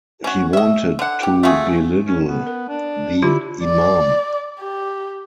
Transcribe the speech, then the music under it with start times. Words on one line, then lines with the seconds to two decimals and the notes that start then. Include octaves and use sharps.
He wanted to belittle the Imam.
0.24 C#4 F#4
0.53 D#5 E5
0.99 D3 F#5
1.23 G4
1.43 A3 F4 F#4 G#4
2.07 C#4
2.27 B3
2.47 A#4
2.68 D4
3.22 D3 E4 F4 G4
3.63 D5
4.60 G4